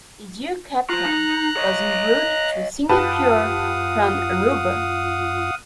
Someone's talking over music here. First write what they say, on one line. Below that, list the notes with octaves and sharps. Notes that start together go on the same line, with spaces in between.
"Aegean Captain" was en route to Singapore from Aruba.
F3 F4 A#5 F#6
D#4
C#5 D#5
F#2 F4 G4 B4 F5 F#5 A5 D#6